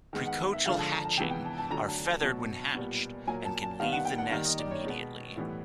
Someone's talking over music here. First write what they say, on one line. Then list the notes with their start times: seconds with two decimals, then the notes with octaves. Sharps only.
Precocial hatching are feathered when hatched, and can leave the nest immediately.
0.13 D#3 G#3 B3
0.27 F#5
0.53 E5
0.66 D3 F3 G#3 F5
0.79 A5
0.91 A#5
1.04 A5
1.18 C3 E3 G#3 B3 G5
1.31 G5
1.45 A5
1.58 A5
1.70 D3 F#3 A3 A#5
1.88 A5
2.05 A5
2.22 B2 F#3 B3
2.75 A#2 G3 B3
3.27 A#2 F#3 A#3 G#5
3.45 A5
3.62 A5
3.80 D#3 G3 B3 F5
3.92 F#5
4.05 G5
4.18 F#5
4.31 D#3 G3 A#3
4.45 D#5
4.59 D5
4.71 C#5
4.84 B2 G#3 B3
5.36 A2 E3 G3 B3